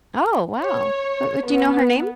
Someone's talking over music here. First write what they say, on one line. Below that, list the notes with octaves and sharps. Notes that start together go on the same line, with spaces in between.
Oh, wow. Her do you know her name?
C#5
B3